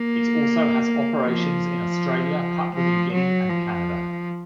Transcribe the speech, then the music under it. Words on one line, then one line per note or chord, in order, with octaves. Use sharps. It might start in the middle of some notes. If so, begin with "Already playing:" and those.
It also has operations in Australia, Papua New Guinea and Canada.
Already playing: A#3
F3
F3
F#3
F3